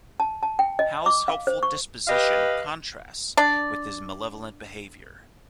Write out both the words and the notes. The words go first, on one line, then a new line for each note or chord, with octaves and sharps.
Hal's helpful disposition contrasts with his malevolent behaviour.
A5
A5
G5
D#5
D6
F5
C5
C#6
G4 B4 D#5 F5
D4 D5